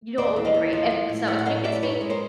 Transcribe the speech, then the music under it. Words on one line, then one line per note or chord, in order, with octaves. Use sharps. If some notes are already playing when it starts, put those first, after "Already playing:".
you know what would be great? If so if you could speak
D#2 C5 D5
E3
D#5 F5
D#2
F3
G#3
A2
A2 E5 F#5
F#5
F#3 D#5 F5
A2 D5 E5
F#2 B4 C#5
G#3
A#4 C5